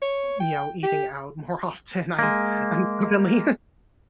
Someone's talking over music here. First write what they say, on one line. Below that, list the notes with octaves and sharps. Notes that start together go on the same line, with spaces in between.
n you know, eating out more often. I I'm definitely
C#5
G5
G4
G#3 A#3